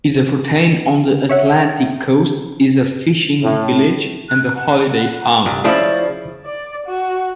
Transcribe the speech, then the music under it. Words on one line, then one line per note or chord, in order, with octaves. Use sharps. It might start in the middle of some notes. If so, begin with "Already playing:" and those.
Yzerfontein on the Atlantic coast is a fishing village and holiday town.
C#5 E5 F#5
A2
F#6
F#5
C2
C#3 F3 E4 D5
D5
F#4